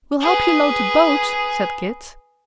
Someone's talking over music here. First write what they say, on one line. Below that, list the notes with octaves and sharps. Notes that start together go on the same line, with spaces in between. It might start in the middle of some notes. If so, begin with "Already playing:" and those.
"We'll help you load the boat," said Kit.
G#4 B4